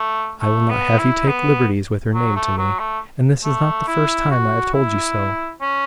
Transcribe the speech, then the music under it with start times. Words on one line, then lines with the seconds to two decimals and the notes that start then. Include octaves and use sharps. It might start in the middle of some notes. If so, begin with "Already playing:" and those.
I will not have you take liberties with her name to me; and this is not the first time I have told you so.
Already playing: A3
0.42 A3
0.70 B3
0.99 E4
1.28 B3
2.14 F#3
2.36 A3
2.58 F#3
2.79 A3
3.44 A3
3.88 E4
4.31 F#4
4.74 E4
5.61 C#4